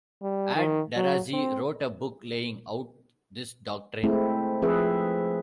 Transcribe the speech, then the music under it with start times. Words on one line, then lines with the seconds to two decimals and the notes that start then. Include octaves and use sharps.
Ad-Darazi wrote a book laying out this doctrine.
0.22 G3
0.55 D#3
0.97 F#3
1.33 C4
4.03 G#3 A3 C4 E4
4.62 F3 C4 G#4 B4 E5